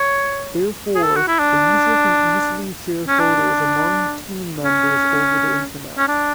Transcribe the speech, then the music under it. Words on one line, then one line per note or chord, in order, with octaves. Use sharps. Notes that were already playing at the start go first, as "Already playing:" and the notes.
Therefore, a user can easily share photos among team members over the Internet.
Already playing: C#5
G#4
A4
F#4
E4
D4
C#4
D4
C#4
C#4
D4